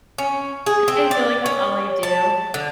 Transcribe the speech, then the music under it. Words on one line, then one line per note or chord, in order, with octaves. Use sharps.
I feel like that's all I do.
C#4
G#4
C4
D5
C#4
A5
D3